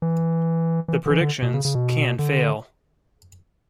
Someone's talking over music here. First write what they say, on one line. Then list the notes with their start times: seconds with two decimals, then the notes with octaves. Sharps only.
The predictions can fail.
0.02 E3
0.88 E3
1.06 D3
1.10 E3
1.21 D3
1.42 B2
1.54 C#3
1.65 C#3
1.75 B2
2.19 D3